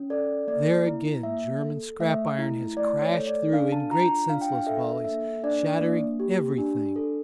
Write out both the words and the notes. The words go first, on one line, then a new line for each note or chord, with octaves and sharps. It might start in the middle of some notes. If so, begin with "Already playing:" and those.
There again German scrap-iron has crashed through in great senseless volleys, shattering everything.
Already playing: C#4
A4 D5
A#3 D5
E4
A#3 E5
A4
A3 E5
E4
A3 D5
C#5
A4
D5
D4 F5
A5
F4 A#5
D4 F5
G5
F5
A4 E5
A#3 E5
D4 D5
A#3
G4
D4
A4